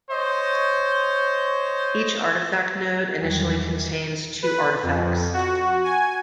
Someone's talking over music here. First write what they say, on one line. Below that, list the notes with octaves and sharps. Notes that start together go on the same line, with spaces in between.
Each Artifact Node initially contains two Artifacts.
C5 C#5 D#5
E2 D#3 E3 F#3 G3
B4
F2
F#4
G#5